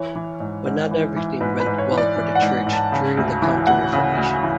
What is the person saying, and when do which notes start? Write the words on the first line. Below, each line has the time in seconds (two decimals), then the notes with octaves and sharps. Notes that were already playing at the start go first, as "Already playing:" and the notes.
But not everything went well for the Church during the Counter-Reformation.
Already playing: E3 C#5
0.15 E3
0.40 G#2
0.66 G#2
0.91 E3
1.16 E3
1.40 G#2 B4
1.60 B4
1.66 G#2
1.78 C#5
1.92 E3
1.98 D5
2.16 E3
2.35 F#5
2.42 G#2
2.67 G#2
2.73 A5
2.92 C#3
3.17 D2
3.42 E3
3.67 D2 F#5
3.93 C#3
4.17 D2
4.43 E3